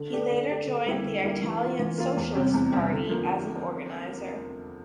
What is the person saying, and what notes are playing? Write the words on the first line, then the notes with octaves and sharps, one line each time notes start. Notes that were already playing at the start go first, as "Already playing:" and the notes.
He later joined the Italian Socialist Party as an organizer.
Already playing: D3
A3 D4 G4
D3
A3 D4 G4
D3
G3 A#3 E4 G4
D3
G3 A#3 E4 G4
E3
A#3 F4
E3
A#3 F4
E2
C3 G3 C4 G4
E2
C3 G3 C4 G4
D3
F3 A#3